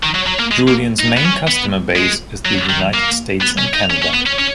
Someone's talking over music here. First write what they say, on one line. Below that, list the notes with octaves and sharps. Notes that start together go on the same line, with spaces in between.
Julien's main customer base is in the United States and Canada.
D#3
F#3
F#3
A#3
G#3
A#3
D#4
B3
C#4
B3
G#3
F#3
D#3
A#3
B3
C#4
D#4
C#4
C#4
B3
C#4
C#4